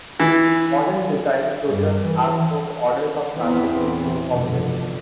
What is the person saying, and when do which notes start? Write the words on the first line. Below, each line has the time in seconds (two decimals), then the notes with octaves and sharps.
Modern design closure has grown orders of magnitude more complex.
0.20 E3
1.66 G2
2.05 E3
3.35 E2 A#2 E3 B3 C4
4.28 F1 G2 B2 D3